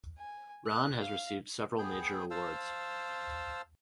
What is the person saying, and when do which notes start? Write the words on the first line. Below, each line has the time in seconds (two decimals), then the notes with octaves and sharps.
Rahn has received several major awards.
0.18 G#5
0.67 F#6
1.00 F5
1.78 B3 G#4 G5
2.31 C5 F5 A5 E6